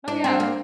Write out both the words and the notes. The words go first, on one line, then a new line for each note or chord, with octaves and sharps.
Oh, yeah.
D4
C4
A#3